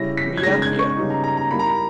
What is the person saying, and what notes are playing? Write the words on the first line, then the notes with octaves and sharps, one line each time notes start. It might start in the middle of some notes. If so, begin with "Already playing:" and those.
We are here.
Already playing: C#3 G3 C#4 E4 A#6
B6
G#6
C#3 G#3 D#4 A#6
G#6
C#6
C#3 G3 B3 D#4
A#5
A#5
A#5
G3 A#3 E4 B5
A#5
B5